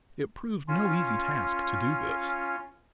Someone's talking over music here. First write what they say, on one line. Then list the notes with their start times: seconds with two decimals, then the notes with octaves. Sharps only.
It proved no easy task to do this.
0.68 C#4 F4